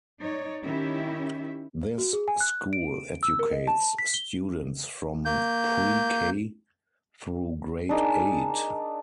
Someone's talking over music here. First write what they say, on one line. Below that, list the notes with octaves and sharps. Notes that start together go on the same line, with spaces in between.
This school educates students from pre-k through grade eight.
D#4 C#5 D5
D#3 C#4 E4 G4 E5
F#4
G#4
G#5
F#6
D7
E6
A#4
D#5
A5
B6
G7
A#3 G6
D4 D#4 G#4 A#4